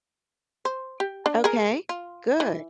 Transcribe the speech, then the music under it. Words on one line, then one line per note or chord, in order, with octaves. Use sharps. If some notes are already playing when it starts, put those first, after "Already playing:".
Okay. Good.
C5
G4
D4
G#4 A#4
F4
E3